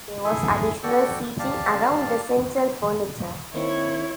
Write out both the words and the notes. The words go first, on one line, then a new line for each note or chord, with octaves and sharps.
There was additional seating around the central furniture.
E4 G#4 A4 E5 G#5
F#4 A4 D5 G5 C#6
G4 D5 F5 A5
D#3 A#3 C4 E4 C#5